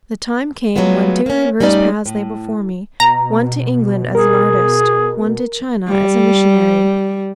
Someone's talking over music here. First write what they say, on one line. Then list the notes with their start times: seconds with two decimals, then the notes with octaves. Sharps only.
The time came when two diverse paths lay before me--one to England, as an artist; one to China, as a missionary.
0.76 F#3 G#3 A3 B3 F4
1.26 A#3 C#4
1.61 G3 A3 C#4 D#4 D5
2.06 A2
3.00 B2 A#5
4.15 G#4 A#4
5.88 G3